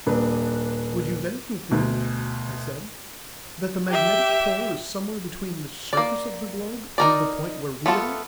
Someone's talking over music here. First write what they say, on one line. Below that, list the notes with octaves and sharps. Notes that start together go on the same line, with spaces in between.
"Would you then conclude," I said, "that the magnetic pole is somewhere between the surface of the globe and the point where we are?"
D#1 D4 B4
D2 B2
G4 E5
A#3 D5
D#4 A#4 D5
A3 B3 F4 F#4 A4